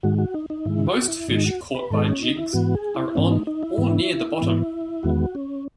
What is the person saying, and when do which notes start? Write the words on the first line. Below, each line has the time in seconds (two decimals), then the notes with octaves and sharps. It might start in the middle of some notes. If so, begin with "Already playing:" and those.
Most fish caught by jigs are on or near the bottom.
0.03 G#2 D#3 G#3 F#4
0.18 F#4
0.34 D#4
0.50 D#4
0.65 G#2 D#3 G#3 E4
0.87 F#4
1.02 F#4
1.08 E4
1.28 G#2 D#3 G#3 D#4
1.44 F#4
1.75 B4
1.90 G#2 D#3 G#3 A4
2.06 C#4
2.23 D#4
2.37 E4
2.53 G#2 E3 B3 F#4
2.75 G#4
2.95 E4
3.15 G#2 E3 B3 C#4
3.31 D#4
3.47 D#4
3.63 E4
3.78 G#2 E3 B3
4.41 G#2 E3 B3
5.03 E2 D#3 G#3 B3 F#4
5.35 C#4